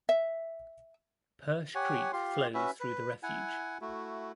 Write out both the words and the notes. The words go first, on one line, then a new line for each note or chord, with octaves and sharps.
Perche Creek flows through the refuge.
E5
G4 C#5 F#5 G#5
F4 G4 C6
C#4 F#4 B4 E5
B4
E4 F#5 G#5
A3 E4 F#4